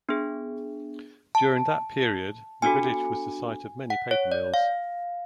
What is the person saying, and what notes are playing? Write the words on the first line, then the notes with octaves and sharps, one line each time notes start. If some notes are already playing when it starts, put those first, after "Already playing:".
During that period, the village was the site of many paper mills.
B3 D4 G#4
A5
B3 D4 F#4 A4 G#5
F#5
C#5
D5
F5